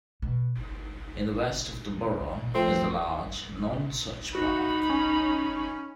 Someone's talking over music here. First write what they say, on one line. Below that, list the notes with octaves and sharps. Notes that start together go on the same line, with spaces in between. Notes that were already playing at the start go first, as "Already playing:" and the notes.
In the west of the borough is the large Nonsuch Park.
B2
F3 A3 C4 C6
D#4 F#4 B5
C#4